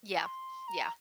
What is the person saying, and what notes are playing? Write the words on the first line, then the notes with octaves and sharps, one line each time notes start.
Yeah, yeah.
D6
C6
A#5